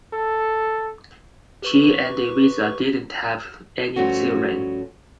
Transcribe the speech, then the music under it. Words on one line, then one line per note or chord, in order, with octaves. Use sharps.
He and Eliza did not have any children.
A4
G4 B4 C#6
G2 F3 A3 C#4 F#4